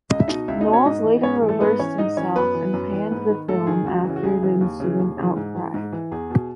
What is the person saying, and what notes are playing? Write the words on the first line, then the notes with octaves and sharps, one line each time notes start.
Knowles later reversed himself and panned the film after the ensuing outcry.
C#2 D#5
E5
B2 D#4 D#5
C#2 E4 E5
D#4 D#5
B2
C#4 C#5
G#2 D#4 D#5
E3
G#2 C#4 C#5
G#4
E3
A3 A4
G#2 B3 B4
E3 C#4 C#5
G#2 D#4 D#5
E3 C#4 C#5
F#2 B3 B4
E3
F#2
E3
G#2
D#3
G#2 A3 A4
D#3 G#4
C#2 F#4
C#3 E3
F#4
C#2 G#4
C#3 E3
D#2
C#3 E3
D#2
C#3 E3
G#2
E3
G#2
E3
E2 G#4
B2